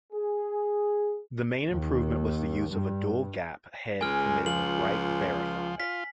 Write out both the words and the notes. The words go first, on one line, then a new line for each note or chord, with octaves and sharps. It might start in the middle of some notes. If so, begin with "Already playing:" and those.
The main improvement was the use of a dual gap head permitting write verify.
G#4
D#2
G2
C#2 G#3 G#5 F6
F3 F#7
F4 B6